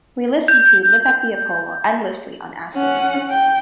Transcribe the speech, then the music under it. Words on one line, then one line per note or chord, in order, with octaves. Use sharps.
We listened to "Live at the Apollo" endlessly on acid.
G6
C#4 F#5
G5